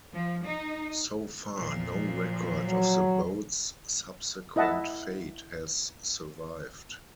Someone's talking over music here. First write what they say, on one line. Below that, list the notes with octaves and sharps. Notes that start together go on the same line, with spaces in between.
So far no record of the boat's subsequent fate has survived.
F3
D#4
A#2 F3
F#3
E4 D#5 E5 F#5 A5